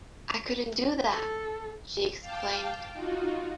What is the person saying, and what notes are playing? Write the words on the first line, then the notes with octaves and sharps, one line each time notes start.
"I couldn't do that," she exclaimed.
A4
F5 G5 A5 D6
D#4 F4 F#4